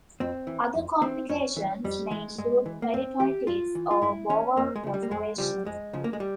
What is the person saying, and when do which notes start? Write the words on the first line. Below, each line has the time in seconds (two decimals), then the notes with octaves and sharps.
Other complications may include peritonitis or bowel perforation.
0.20 F2 C4
0.47 E3
0.75 F2
1.01 E3 C4
1.29 F2 C#4
1.56 E3
1.84 F2 G3
2.11 E3 G#3
2.38 G2 G#3
2.66 E3
2.82 A#3
2.93 G2 C4
3.20 E3 G4
3.47 G2 F4
3.75 E3
3.91 F4
4.02 G2 E4
4.29 E3 C#4
4.56 F2 A#3
4.76 G#3
4.83 C#3 F3
4.94 G3
5.03 A#3
5.11 F2 G#3
5.38 C#3 F3 G3
5.65 F2 G#3
5.93 C#3 F3
6.04 A#3
6.13 G#3
6.20 G3